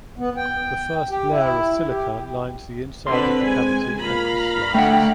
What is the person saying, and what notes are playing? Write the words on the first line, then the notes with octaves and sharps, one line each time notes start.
The first layer of silica lines the inside of the cavity and crystallizes.
B3
G5
G4
E4
G4
D3 C4 B4 B5 C6
G#3 G#5
A#2 F5 A#5 B5
D3 A3 E5 F#5 G5